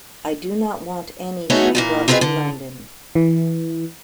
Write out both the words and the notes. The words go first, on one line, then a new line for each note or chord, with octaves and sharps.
I do not want any to be brought to London.
A3 B3 D#4 F#4 G#4 C#5
A#2 E3 A#3
C4 F4 G#4 A4 B4 D#5
D3
E3